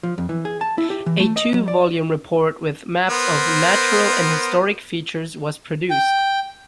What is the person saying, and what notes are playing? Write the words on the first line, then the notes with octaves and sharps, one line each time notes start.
A two-volume report with maps of natural and historic features was produced.
F3
F2
E3
G#4
A5
E4
G4
E3
A3
D#5
F#3
D5
B3 A#4 C5
G5